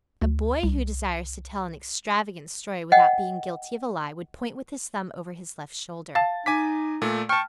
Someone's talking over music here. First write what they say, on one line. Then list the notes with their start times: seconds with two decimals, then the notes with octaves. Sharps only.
A boy who desires to tell an extravagant story without being guilty of a lie would point with his thumb over his left shoulder.
0.22 D2
0.63 C2
2.92 D#5 F#5 G5
6.15 F5 A5 A6
6.46 D#4 G#5 D6 B6
7.02 A#2 A3
7.29 G5 A5 C#6 F6